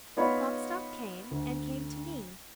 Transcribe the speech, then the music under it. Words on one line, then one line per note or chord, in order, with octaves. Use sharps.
Klopstock came, and came to me.
B3 D#4 F4 C#5 B5
D2